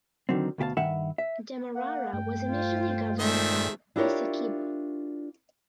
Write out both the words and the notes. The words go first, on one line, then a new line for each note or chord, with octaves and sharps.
Demerara was initially governed from Essequibo.
D3 D#3 F#3 C4
D2 B2 G4 F5 A5
G2 D#3 B4 E5 F#5
E5
A#3 F#5
G2 A3 G5
F4 C5
A#2 D#3 G#3 C4 A4 E5
D4 E4 F4 G4 A#4 C#5